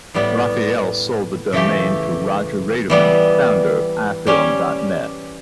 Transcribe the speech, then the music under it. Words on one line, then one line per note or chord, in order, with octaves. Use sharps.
Raphael sold the domain to Rodger Raderman, founder of iFilm dot net.
A2 G3 B3
C#3 E3 A3 E4 G4
E3 G3 B3
G3 C#4 G4